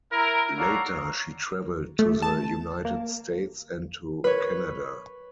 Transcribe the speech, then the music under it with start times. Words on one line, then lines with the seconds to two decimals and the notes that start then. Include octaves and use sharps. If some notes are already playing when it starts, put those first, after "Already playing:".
Later she travelled to the United States and to Canada.
0.12 E4 A#4
0.59 F#4 A4 C#5 D5 F5 A#5
1.99 A3
2.22 A5
2.85 A#3
4.24 B4 C#5